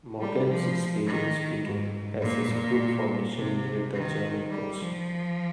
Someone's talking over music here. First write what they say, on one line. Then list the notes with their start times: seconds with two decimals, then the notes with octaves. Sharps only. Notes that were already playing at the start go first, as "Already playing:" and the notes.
Morgan's experience began as his group formation neared the German coast.
0.21 G3
0.49 F3
1.07 D#3
1.63 G#2
2.22 A#2
2.50 A#2
3.36 C3
3.93 D#3
4.50 G3
4.79 F3